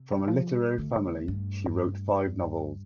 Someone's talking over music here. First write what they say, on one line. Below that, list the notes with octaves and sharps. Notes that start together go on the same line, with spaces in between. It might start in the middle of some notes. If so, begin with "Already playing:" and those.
From a literary family, she wrote five novels.
Already playing: C3
G3
F3
G3
D3 A3
G2